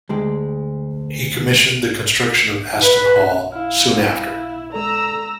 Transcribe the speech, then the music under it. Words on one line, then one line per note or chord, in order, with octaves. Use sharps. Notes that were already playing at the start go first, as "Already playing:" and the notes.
He commissioned the construction of Aston Hall soon after.
D2 G#3 G4
B4
E4 F5 F6
G#3 A4 D5 A#5 E6